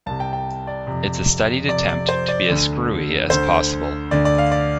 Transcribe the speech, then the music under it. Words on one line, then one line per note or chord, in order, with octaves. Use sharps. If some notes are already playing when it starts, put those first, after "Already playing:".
It's a studied attempt to be as screwy as possible.
C2 C3 A5
G5
G5
D5
F2 C3
F2 C3 D5
D5
C5
D5
D2 D3
D2 D3 C5
D2 D3 D5
D5
F5
D5